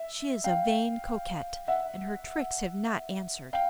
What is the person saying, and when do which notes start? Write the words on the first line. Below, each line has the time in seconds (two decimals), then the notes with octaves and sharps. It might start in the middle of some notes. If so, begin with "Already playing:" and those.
She is a vain coquette, and her tricks have not answered.
Already playing: E5
0.44 F5 G5
1.68 E5 F#5
3.53 F5 G5